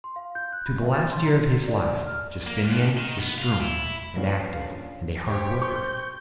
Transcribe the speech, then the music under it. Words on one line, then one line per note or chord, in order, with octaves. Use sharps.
To the last year of his life Justinian was strong and active and a hard worker.
C6
F5
G6
F#6
B5
E5
A6
C6
A#5
D5
D5
F6
A#3
D2
D#3
B3
F4
E4
A#1 C#4 B4 C#5 F5
G4 C5 C#5
C#6 G6